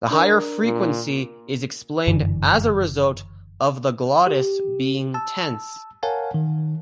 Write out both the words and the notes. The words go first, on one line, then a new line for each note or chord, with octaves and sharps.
The higher frequency is explained as a result of the glottis being tense.
D4 A#4
A#2
F#1 G2 D3 E3
G4
A5 E6
A#4 C#5 F5 F#5 G#5 A5
D#3